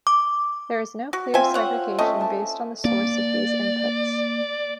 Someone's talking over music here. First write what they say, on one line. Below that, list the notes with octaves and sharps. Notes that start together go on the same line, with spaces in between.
There is no clear segregation based on the source of these inputs.
D6
F#4
C4 F4 C5 E5 G#5
C#5 F#5
A3 C#4 D#5 E5
G#5 A5 D6
A#3 D5